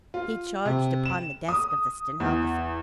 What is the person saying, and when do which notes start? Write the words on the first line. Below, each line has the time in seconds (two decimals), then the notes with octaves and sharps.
He charged upon the desk of the stenographer.
0.14 F4
0.65 C3
1.06 E7
1.49 D#6
2.20 E2